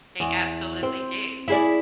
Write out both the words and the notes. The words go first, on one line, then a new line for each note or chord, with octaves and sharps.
They absolutely do.
E2
C4
E4 G#4 D5